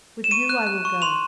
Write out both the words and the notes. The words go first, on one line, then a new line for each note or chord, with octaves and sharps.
With you I will go.
E7
C#6 D#7
F#6
F#6
C#6
C6 F7